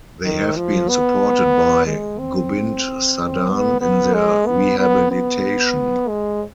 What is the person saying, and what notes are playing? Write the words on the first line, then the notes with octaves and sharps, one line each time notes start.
They have been supported by Gobind Sadan in their rehabilitation.
D#3
F3
B3
G#3
C4
B3
B3
G#3
B3
B3
B3
G#3